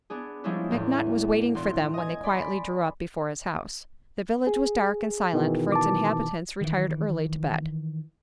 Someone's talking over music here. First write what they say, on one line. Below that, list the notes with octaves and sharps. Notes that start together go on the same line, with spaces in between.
McNutt was waiting for them when they quietly drew up before his house. The village was dark and silent, for its inhabitants retired early to bed.
B3 D4 G#4
F3 G3 G#3 C#4 D4 E4
E2 A2
E1 C6
D#5 G#5
D5 B5 C6
G#4
B2 D#3 E3
A5 D6
D#3 E3